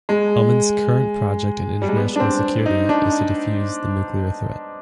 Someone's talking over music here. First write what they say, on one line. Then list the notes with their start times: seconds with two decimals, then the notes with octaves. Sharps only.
Hellman's current project in international security is to defuse the nuclear threat.
0.09 G#3
1.82 G3
1.89 G#3
1.96 B3
2.16 D4
2.20 C4
2.66 D#4
2.89 D4